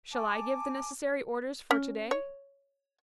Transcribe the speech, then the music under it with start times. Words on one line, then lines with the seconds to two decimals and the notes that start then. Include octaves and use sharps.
Shall I give the necessary orders for to-day?
0.13 G#5 A5 D6
1.71 C#4
2.11 C#5